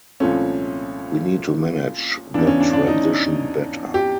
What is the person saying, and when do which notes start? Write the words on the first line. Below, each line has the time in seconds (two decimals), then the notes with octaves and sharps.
We need to manage the transition better.
0.20 C2 A#2 F3 A3 C#4
2.34 E2 C#3 E3 D4
2.47 C#4
2.61 D4
2.73 D4
2.87 D#4
3.94 G4